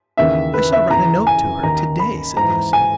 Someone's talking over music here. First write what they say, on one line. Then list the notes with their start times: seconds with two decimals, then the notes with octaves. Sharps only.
"I shall write a note to her to-day," said Lucy.
0.17 D#2 C#3 E3 E5
0.54 B4
0.73 E5
0.90 E2 C#3 E3 A#5
1.27 G#5
1.63 D#2 D#3 A#5
1.99 B5
2.36 G#2 E3 A#5
2.73 G#5